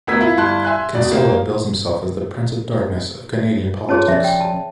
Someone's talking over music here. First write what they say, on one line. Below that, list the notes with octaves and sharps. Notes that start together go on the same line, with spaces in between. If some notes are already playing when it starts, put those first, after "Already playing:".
Kinsella bills himself as the "Prince of Darkness" of Canadian politics.
D2 B3 A#4 E6 G#6 B6
E4 F4
G1 E4 A5 C6 F#6
E5 G#5 C6 F#6
E1 B2 D5
A#3 G4
C#4 F4 G#4 C#5 A5 A#5
F3 C#4 D5 E5
G5
A5